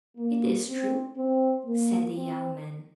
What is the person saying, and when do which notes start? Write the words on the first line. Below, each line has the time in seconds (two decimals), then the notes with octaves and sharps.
"It is true," said the young man.
0.17 A#3
0.67 C4
1.16 C4
1.65 A#3
2.16 C4